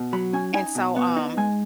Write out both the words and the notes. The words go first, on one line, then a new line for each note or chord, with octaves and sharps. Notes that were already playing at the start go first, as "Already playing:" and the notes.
and so, um
Already playing: B2
F#3 B5
C#4 G#5
D#4 G#5
B2
B3
D#4
G#3 G#5